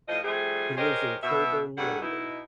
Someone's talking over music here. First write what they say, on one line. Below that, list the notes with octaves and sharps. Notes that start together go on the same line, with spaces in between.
He lives in Kilburn, London.
A2 F3 G3 F4 D#5
F3 G3 A3 C4 G#4
G4 G#4 A#4 C5 C#5 D#5
B2 E5
G2 D3 F#3 A3 G#4 F#5
B2 D#4 E4